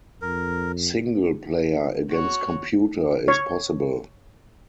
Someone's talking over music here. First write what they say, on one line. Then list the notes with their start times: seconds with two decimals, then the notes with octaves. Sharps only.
Single player against computer is possible.
0.22 F2 A#4
2.09 F#4 C#5
3.28 C#5